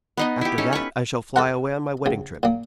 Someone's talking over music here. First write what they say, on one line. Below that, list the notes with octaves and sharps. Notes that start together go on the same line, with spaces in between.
After that, I shall fly away on my wedding trip.
B3 D#4 D#5
E4 G4
C#4 D#4 A4
B4 C#5
A4 A#4 F#5
A#1 C#3
A#2 A#3